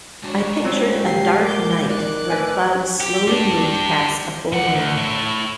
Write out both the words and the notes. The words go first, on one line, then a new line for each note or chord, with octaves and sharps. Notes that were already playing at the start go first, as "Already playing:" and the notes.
I pictured a dark night where clouds slowly moved past a full moon.
G#3 D4 F#4 C#5
F3 F#3 C4 C#4
G4 C7
A#3 D6 G6
D#3 D5 D6 F#6
A2 B4 G#5
G4
G3 D4
A#2 F#5
D2
A2 E4